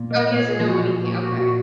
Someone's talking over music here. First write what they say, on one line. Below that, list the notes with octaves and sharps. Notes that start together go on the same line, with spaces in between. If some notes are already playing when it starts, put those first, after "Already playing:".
Oh, he doesn't know anything, okay.
Already playing: A#2
A#3 D#5
C#5
A#2
G#4
F3
F#4
A#2
F#4
A#3 G4
F#4
A#2
F#4